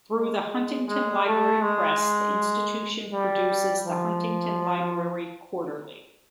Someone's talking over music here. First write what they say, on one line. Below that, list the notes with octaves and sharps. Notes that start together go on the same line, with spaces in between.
Through the Huntington Library Press, the institution produces the Huntington Library Quarterly.
G#3
G#3
A3
G#3
G3
F3